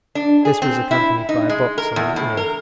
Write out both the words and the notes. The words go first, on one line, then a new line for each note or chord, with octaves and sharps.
This was accompanied by a box on the ear.
D4
G#4
C4
E4
D#4
G#3
A#4
E2
A2
A#4